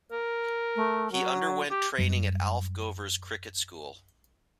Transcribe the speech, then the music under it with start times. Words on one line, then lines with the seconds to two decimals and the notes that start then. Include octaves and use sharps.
He underwent training at Alf Gover's cricket school.
0.12 A#4
0.76 A3
1.12 F#3
1.71 G4
1.98 F#2 G3